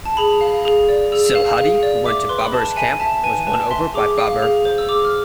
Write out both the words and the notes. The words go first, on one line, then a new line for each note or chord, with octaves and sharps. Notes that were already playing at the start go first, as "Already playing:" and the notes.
Silhadi who went to Babur's camp was won over by Babur.
A5
G#4 B5
F5
G#4
D5
G#4 E6
F5
G#4
D5
E5 D6
B4 C6
B5
B4 A5
E5 G#5
E5 A5
B4 G#5
B4 A5
E5 C6
G#4 D6
F5
G#4
C5
E6
G#4 D6
F6